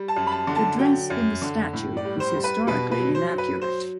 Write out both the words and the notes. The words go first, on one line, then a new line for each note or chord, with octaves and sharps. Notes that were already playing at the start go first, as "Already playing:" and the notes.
The dress in the statue is historically inaccurate.
Already playing: G3
A5
F#2
B5
A5
D3
A5
F#3 G5
F#2
D3
A2
D5
G3
C5
G3
B4
B2 B4
B4
F#3
C5
F#3
B4
F#3 C5